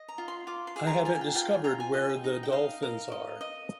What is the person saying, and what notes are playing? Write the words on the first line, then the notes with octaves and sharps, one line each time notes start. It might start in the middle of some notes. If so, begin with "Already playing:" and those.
I haven't discovered where the dolphins are.
Already playing: D#5
A#5
F4
C6
F4 D6
C6
G#4
A#5
F4 G#5
G#5
G5
F4 G5
G#5
F4 A#5
G#5
D#5
G5
D#4
G5
D#5 F5
A#4
D#5
D#5